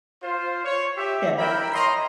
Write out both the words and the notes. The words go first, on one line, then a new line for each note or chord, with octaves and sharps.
Yeah, it's
F4 C5
C#5
G4 E5
E4 A#4 E5 G5 B5
C#5 D#5 A#5 C6